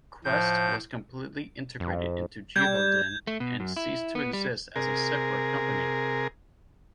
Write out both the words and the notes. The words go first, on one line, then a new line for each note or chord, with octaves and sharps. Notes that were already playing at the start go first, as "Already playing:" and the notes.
Quest was completely integrated into Givaudan and ceased to exist as a separate company.
A2 F3 G6
F2
G3 G6 G#6
A3
B2
F#2
E4
B3
G3
C3 G#4 A#4